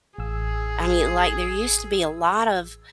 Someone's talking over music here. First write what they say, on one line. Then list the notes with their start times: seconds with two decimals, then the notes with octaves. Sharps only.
I mean, like, there used to be a lot of
0.18 A1 G#4 E6